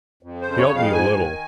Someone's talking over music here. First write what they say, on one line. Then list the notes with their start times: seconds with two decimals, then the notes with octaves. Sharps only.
He helped me a little.
0.23 F2
0.41 C#3 C5
0.58 C#5
0.70 F2
0.75 F5
0.93 G#2 G#5
1.17 D#3